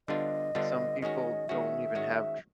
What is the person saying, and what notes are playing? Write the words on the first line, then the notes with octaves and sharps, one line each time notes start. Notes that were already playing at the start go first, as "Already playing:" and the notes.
Some people don't even have dr
D3 G3 B3 D4 F4 D#5
D3 G3 B3 D4 F4
D#3 G#3 C#4 F#4 D#5
D#3 G#3 C#4 F#4 E5
D#3 G#3 C#4 F#4